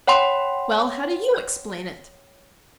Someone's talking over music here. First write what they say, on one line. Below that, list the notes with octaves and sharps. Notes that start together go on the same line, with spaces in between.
"Well, how do YOU explain it?"
C#5 F#5 G5 B5 C6